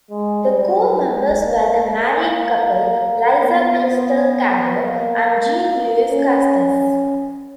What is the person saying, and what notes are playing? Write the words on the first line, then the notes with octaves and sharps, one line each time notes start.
The core members were the married couple Lisa Crystal Carver and Jean-Louis Costes.
G#3
G3
F#3
G#3
A#3
A#3
A#3
B3
A#3
C#4